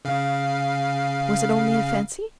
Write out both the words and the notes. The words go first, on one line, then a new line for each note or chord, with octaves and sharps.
Was it only a fancy?
C#3 F5